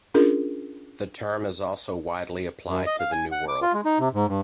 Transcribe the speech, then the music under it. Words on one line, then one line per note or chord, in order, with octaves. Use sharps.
The term is also widely applied to the New World.
C#4 D4 F4 G#4 A#4
F#2
D#5
F5
G#5
F#5
D6
F4
G#3
D#4
C3
G#2
G2